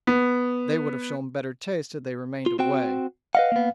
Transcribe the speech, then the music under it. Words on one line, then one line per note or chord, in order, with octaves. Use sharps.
"They would have shown better taste had they remained away."
B3
F4
C4 F#4 G5
B4 D#5 F5 F#5
A#3 B3